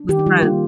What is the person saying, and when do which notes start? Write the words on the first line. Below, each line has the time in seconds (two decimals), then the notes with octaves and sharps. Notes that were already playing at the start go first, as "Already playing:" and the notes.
with friends.
Already playing: D4
0.09 D#3 G4
0.19 D#4
0.26 G3 F4
0.43 A#3 F4